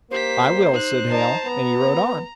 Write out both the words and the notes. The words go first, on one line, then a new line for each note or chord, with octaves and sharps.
"I will," said Hale, and he rode on.
A#3 G4 C5 B6
D#4 F#6
D#4 A5 A#5
B3 A#5